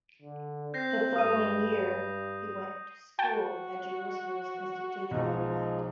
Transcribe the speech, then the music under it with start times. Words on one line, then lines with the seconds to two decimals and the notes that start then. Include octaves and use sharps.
The following year he went to school at Jerusalem's Institute for the Blind.
0.22 D3
0.74 C4 G6 A#6 C7
1.16 G2 D#6 D#7
3.19 F#4 G5 A5
5.11 B1 F3 G#3 D#4